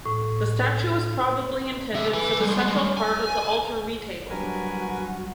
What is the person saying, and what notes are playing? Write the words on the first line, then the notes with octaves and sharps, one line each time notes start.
The statue was probably intended for the central part of the altar retable.
A2
C#3 E5
B4 G#5
G3 G#3
G#5
F#3 G3 D4 F#4 A#4 B4 G#5